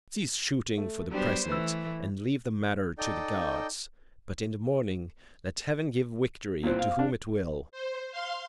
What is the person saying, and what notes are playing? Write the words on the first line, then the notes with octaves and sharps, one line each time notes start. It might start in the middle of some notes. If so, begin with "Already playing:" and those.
Cease shooting for the present and leave the matter to the gods, but in the morning let heaven give victory to whom it will.
A3
F#3 G3 B3 D4 G4 C5
E3 A3 B4 E6
D#4 A4 D5 D#5 G5 G6
G2 A#2 E3 C4
F5
D4
C5
F5 C6